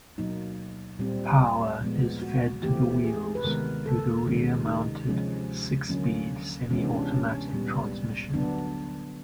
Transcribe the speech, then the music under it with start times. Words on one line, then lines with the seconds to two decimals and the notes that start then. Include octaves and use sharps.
Power is fed to the wheels through a rear-mounted, six-speed semi-automatic transmission.
0.18 B2 F#3 A#3 D#4
0.99 A#2 G3 C4
1.81 A#2 F3 G#3 B3
2.22 F#4
2.63 E3 A3 C4 G4
3.04 G#4
3.35 B4
3.44 C3 D#3 G#3 B3 A#4
3.86 A4
4.26 C3 D#3 G#3 C#4
4.66 D#4
5.07 C3 F3 G#3 C#4
5.89 D3 F#3 A#3 C#4
6.70 C3 E3 G#3 B3 C#4
6.84 D4
6.95 C#4
7.12 C#4
7.53 A#2 G3 B3
8.34 D3 F#3 B3 D4